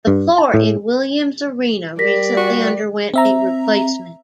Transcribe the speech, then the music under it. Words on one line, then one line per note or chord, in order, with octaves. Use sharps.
The floor in Williams Arena recently underwent a replacement.
G2
A5
A2
G3 A#4 D5 A#6 B6
F#4
C4 E5 A#5